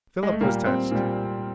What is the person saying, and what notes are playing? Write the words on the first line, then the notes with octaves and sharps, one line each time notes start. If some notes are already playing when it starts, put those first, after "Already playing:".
Philip was touched.
G#3
A3
A#2 G3 A#3
C4
A#2 G3